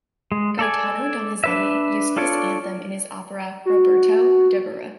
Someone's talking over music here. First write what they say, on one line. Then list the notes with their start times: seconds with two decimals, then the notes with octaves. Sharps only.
Gaetano Donizetti used this anthem in his opera "Roberto Devereux".
0.32 G#3
0.59 A4 D5 G#5
1.44 D4 B4 E5
2.17 D4 F4 A4 C#5 D5
3.66 F#4